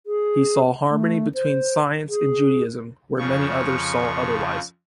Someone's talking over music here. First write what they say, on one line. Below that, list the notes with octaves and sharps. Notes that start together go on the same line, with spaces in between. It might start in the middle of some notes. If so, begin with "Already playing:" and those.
He saw harmony between science and Judaism, where many others saw otherwise.
G#4
A3
C5
G#4
F2 C#3 F3 C#6